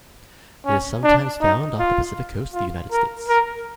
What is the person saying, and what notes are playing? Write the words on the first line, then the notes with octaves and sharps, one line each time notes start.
It is sometimes found off the Pacific coast of the United States.
C#4
D4
D#4
F4
F4
A#4
A#4